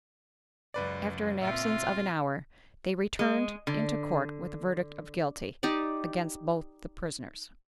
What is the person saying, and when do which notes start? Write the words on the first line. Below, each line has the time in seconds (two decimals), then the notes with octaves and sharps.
After an absence of an hour, they returned into court with a verdict of "Guilty" against both the prisoners.
0.74 C#2 F#2 B4 D5
1.41 A#2 C4 F4 E5
3.19 G#3
3.67 D3
5.63 D#4 G4 D5